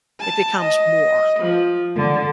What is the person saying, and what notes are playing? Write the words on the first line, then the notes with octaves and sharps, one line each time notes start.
it becomes more.
A5
D#5
F3
D3